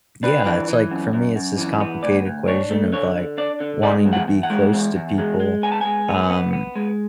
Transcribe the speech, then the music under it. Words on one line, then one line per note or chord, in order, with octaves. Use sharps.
Yeah, it's like, for me, it's this complicated equation of, like, wanting to be close to people, um,
D4 B4
E3
E3
F#2
F#2
F#2
E3
B3
D2 D5
D2
D4 C#5
A3
D3 C#5
D3
D4 D5
D3
G#3 D5
E2
F#5
E2
F#5
G#3
E2
E2
G#3
G#3
B3 G#5
A5
G#3 G#5
B3
B3
B3
G#3